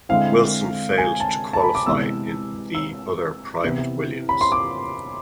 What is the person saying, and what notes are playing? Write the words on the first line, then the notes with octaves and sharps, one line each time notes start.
Wilson failed to qualify in the other private Williams.
D3 G#3 C4 E4 F5
G#5
A5
A5
B5
D6
C3 E3 G#3 B3 E6
E6
C3 E3 B3 E4
B5
C6
D6